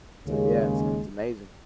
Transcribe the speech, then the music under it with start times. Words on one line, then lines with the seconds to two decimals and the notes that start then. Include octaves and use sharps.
so, yeah, it's a it's amazing.
0.25 D#2 C#3 G#3